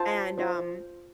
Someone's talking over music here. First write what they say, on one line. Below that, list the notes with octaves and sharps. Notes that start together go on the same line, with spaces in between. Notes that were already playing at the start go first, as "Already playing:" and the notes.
and, um,
Already playing: F4 C5 A5
F4 C5